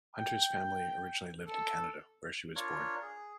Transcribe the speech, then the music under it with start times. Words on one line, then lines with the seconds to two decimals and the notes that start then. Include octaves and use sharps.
Hunter's family originally lived in Canada where she was born.
0.17 G5
1.47 A4
2.56 D4 F4 A#4 C#5
3.02 G#4